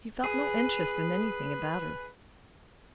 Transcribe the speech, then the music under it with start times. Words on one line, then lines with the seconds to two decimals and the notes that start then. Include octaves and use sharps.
She felt no interest in anything about her.
0.24 G#4 B4